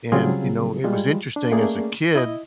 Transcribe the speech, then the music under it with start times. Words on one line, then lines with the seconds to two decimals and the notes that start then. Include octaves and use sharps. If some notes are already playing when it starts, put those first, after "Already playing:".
and, you know, it was interesting as a kid,
0.12 C#3 F#3 G3 C4 F4 G#4
0.84 G3 G#3 F4
1.36 D4
1.52 A3 A#3 C#4 G#4 D5
2.15 E4 D#5